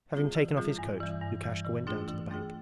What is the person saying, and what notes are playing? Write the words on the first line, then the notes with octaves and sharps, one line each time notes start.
Having taken off his coat, Lukashka went down to the bank.
G3 C4 F4 G#4
E3
G3 C4 F4 G#4
G2
E3 G3
G2
E3 G3
E3
A3 D4 F4 G#4
E3
A3 D4 F4 G#4